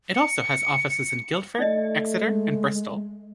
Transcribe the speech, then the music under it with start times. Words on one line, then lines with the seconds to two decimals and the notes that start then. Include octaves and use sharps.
It also has offices in Guildford, Exeter and Bristol.
0.15 C#7
1.58 A3 D#4 D5 D#5
2.22 G#3